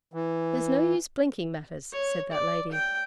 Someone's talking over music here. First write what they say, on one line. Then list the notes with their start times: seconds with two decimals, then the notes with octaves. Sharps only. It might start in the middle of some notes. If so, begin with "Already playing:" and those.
'There's no use blinking matters,' said that lady.
0.14 E3
1.92 C#5
2.31 D5
2.72 G5